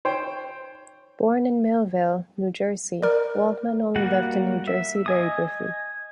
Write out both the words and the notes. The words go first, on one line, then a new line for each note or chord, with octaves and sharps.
Born in Millville, New Jersey, Waldman only lived in New Jersey very briefly.
C5 C#5 G5
A#4 D5
G3 A#3 F#4 F#5
E5
D#5 G#5 D#6